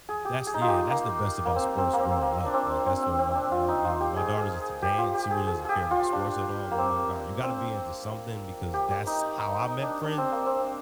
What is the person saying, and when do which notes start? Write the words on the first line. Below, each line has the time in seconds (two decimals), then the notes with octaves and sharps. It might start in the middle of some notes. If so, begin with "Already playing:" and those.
That's yeah, that's the best about sports growing up, like, that's what my my uh, my daughter's into dance, she really doesn't care about sports at all, but I'm like, "Oh, my god" you gotta be into something because that's how I met friends,
0.09 G#4
0.25 G4
0.47 G#4
0.54 D#4
0.61 F4
0.68 G4
0.90 A#3
1.45 A#3
1.56 C4
1.78 C4
1.93 A#3
1.99 C4
2.21 A#3
2.46 D4
2.54 C4
2.86 C4
3.02 C4
3.19 C4
3.35 D4
3.52 F4
3.68 D#4
3.84 F4
4.01 G4
4.16 G#4
4.37 G#4
4.82 G4
4.98 F4
5.15 G4
5.31 G#4
5.47 G#4
5.65 G4 G#4
5.91 F4
6.13 D4
6.71 A#3
6.78 C4
7.43 C4
8.74 G4
8.91 G4
9.07 D#4
9.39 D#4
9.61 D#4
9.83 D4
10.05 D4
10.18 C4
10.32 A#3
10.46 C4